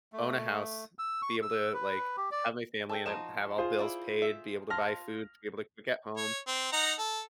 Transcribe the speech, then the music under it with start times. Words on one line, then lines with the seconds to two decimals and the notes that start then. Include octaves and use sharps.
own a house, be able to, like, have my family and have all bills paid, be able to buy food, be able to cook at home.
0.13 A3
0.99 E6
1.22 C#6
1.42 E6
1.74 B4
2.17 G4
2.31 D5
2.89 A4 G5
3.06 F3 D#4 F#4 E7
3.58 F4 G#4 C5
3.79 E4 D5
4.22 E5
4.70 F4 A5 F6 A#6
6.17 C#5
6.48 C4
6.73 D#4 F#5 A#5
6.99 A4